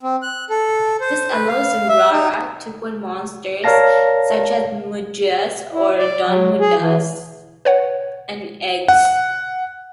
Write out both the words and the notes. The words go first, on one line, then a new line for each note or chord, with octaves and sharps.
This allows "Rara" to put monsters such as Medusas or Don Medusas in eggs.
C4
F#6
A4
C5
B4
F5
E5
D#4
A#4 C#5 D5 F5 A5 A#6
E4
D5
F#3
G#4
E3
B4 C#5 F#5
F#5